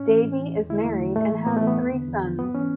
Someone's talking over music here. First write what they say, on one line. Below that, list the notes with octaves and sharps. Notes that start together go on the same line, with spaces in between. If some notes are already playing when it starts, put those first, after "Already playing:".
Davie is married and has three sons.
Already playing: A2 C#4
E3
A2
E3
E2
D3 E4
E2 A3
D3
A2 A3
E3
A2 B3
A3
E3
B3
E2
D3
E2
D3
G#2 B3
E3 C#4